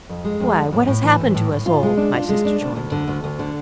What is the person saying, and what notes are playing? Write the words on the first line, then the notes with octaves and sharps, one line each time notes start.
"Why, what has happened to us all!" my sister joined in.
F2
G#3
F2
F2
A2
A2
E3
A2
A2
A2
F4
G#3
D4
F4
G#3
D4
D2
D2
D3
D2
D2
D3